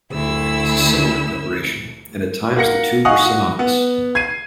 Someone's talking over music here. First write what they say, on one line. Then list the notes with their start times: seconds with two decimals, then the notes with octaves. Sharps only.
Liquamen was a similar preparation, and at times the two were synonymous.
0.12 D2 E4 E6
2.56 A#3 F#5 A#6 C#7
3.05 D#5 F5 F#5 G#5 C#6 D#6
3.25 F#4
3.59 B3
4.15 G#6 C7 D#7